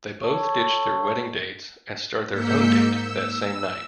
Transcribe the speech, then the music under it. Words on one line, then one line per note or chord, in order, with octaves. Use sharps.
They both ditch their wedding dates and start their own date that same night.
A4 C#5
G#2 A#3 E6 G6 B6 C#7
E6